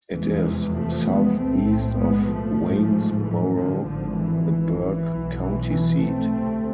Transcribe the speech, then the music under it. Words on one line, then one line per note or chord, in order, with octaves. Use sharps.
It is southeast of Waynesboro, the Burke County seat.
F1 E2 C3 E3 G#3
F3 A3
G#3 B3
B1 A2 A3 C4
G#3 B3
F3 A3
A1 G#2
E3
D3 F3
G#1 G#2 D3 F3
E3
E3
B1 B2
E3
E3
A3 C4
D2 C3